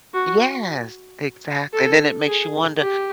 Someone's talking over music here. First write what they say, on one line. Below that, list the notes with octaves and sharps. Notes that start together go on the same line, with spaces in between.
Yes. Exactly. Then it makes you wonder,
F#4
A4
G#4
G4